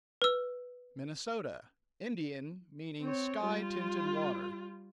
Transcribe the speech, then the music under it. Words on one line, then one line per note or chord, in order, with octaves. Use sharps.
Minnesota--Indian; meaning "sky-tinted water."
B4 E6
C4 C#5
G3 F4